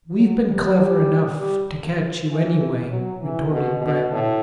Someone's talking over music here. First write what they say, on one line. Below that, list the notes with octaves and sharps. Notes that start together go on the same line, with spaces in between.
"We've been clever enough to catch you, anyway," retorted Breton.
F#3
G3
G3
G3
E3
F#3
E3
B2
B2
A2